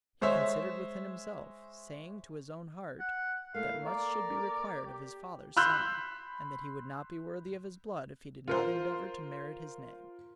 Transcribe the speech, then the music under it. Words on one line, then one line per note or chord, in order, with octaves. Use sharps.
He considered within himself, saying to his own heart, that much should be required of his father's son, and that he would not be worthy of his blood if he did not endeavour to merit his name.
G#3 C5 C#5 E5
F#5
A3 A#3 E4 F5
A#4 D5
G4
B5 C6 E6 F#6 G6
F4 A#4 C5